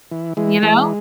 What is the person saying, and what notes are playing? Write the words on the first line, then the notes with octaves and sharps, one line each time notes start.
you know?
E3
E3 G#3
E3